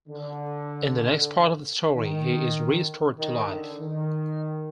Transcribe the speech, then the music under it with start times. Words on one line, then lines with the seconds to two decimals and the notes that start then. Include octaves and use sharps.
In the next part of the story he is restored to life.
0.08 D3
1.95 D#3
3.19 D#3
3.50 D3
3.80 D#3